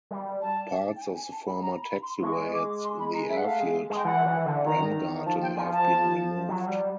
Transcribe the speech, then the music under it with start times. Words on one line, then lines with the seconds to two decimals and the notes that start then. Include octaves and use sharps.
Parts of the former taxiway at the airfield Bremgarten have been removed.
0.11 G3
0.42 A5
0.96 G5
1.02 G#5
1.17 G#5
1.32 A5
1.47 B5
1.63 A#5
1.83 B5
2.03 C6
2.23 G#3 C#6
2.54 D6
2.84 C6
2.99 B5
3.14 A#5
3.29 E5
3.37 F#5
3.44 A3 F5
3.60 G#3
3.90 G#3
3.96 G5
4.05 E3 F#5
4.26 E3
4.46 D3
4.66 D#3 A#5
5.26 F3 A5
5.42 G5
5.56 F3 G#5
5.72 A5
6.49 F#3
6.68 G3